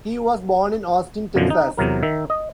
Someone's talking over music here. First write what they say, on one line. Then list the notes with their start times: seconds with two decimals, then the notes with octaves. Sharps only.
Key was born in Austin, Texas.
1.35 F#2 B2 D3 E3 F3
1.50 D#4
1.77 E2 C3 F#3 A#4
2.03 D#3 E5
2.30 D#5